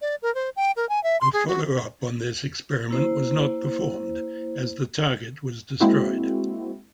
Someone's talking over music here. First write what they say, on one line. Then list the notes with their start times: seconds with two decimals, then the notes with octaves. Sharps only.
A follow-up on this experiment was not performed, as the target was destroyed.
0.01 D5
0.22 A#4
0.35 C5
0.56 G5
0.76 A#4
0.89 G#5
1.03 E5
1.21 C6
1.33 G#4
1.48 F#4
2.89 A#3 E4 C5
5.80 G#3 A#3 C4 E4 F#4